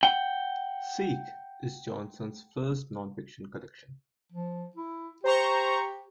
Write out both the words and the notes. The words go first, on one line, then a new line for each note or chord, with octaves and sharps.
"Seek" is Johnson's first nonfiction collection.
F#5 G5
F3
E4
G4 C5 A#5 C#6